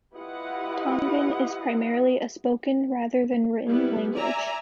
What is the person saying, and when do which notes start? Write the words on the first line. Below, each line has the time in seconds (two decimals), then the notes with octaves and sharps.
Tongan is primarily a spoken, rather than written, language.
0.15 E4 F4 G4 B4 D#5 F#5
3.67 G3 B3 E4
4.16 D5 E5 G#5 A#5